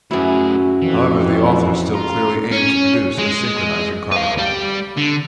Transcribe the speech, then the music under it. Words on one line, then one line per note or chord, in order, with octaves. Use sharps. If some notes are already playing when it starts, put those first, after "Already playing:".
However the author still clearly aimed to produce a synchronizing chronicle.
F#2 A2 E4 F#4 G#4
F2 E3
F4 A#5
C#4
G#3
B4 F5
G3 G4
D3